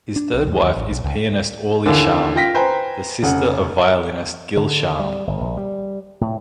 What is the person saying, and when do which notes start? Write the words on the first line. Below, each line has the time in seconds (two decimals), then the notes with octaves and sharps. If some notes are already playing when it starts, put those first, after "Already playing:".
His third wife is pianist Orli Shaham, the sister of violinist Gil Shaham.
0.16 D4
0.33 B1
0.47 E2
0.62 D#2
0.76 A1
0.91 B1
1.04 C#2
1.85 D#2 D3 E3
2.35 F4 G5 A#6 B6
2.54 B4 C5 G5 G#5 A#5
3.23 F1 C#3 F#5
4.57 D3
4.99 G3
5.27 G1
5.41 A#1
5.57 G3
6.21 A2